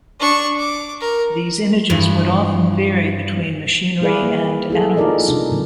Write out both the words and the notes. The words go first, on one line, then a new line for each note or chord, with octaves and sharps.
These images would often vary between machinery and animals.
D4 C#6
D6
A#4
G2 E3 F3
G3 E4 G#4 B4 D5 F5
A#3
E4 G#4 A4
D#4 F4 A4 A#4 D5 D#5
C3 D4 D#4
A#2 D3 F#3